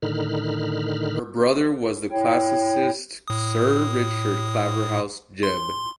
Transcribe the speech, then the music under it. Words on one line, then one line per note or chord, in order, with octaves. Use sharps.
Her brother was the classicist Sir Richard Claverhouse Jebb.
A2 D3 D#3 D#4 B5 F6
E4 C#5 G5
A2 D#6
C6